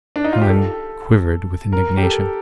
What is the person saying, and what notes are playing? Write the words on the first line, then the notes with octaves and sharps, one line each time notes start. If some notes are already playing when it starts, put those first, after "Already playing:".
Helen quivered with indignation.
D4
D#4
F4
G4
A4
A#4
G4
A4